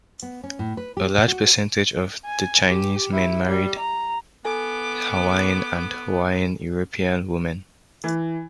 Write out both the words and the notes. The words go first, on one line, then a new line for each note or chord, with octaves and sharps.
A large percentage of the Chinese men married Hawaiian and Hawaiian European women.
B3
C#4
A2
B4
G4
F#4
G#5
G4
E4
G3
A#5
B3 A4 G#5 D6
E3